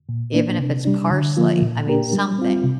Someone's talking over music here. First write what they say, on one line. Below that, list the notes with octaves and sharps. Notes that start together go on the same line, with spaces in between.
Even if it's parsley, I mean something.
A#2
A#3 D4
C3
G3 D4
D3
F3 A#3 F4
A#2
A#3 D4 G4 A#4
G3
C4 F4
C3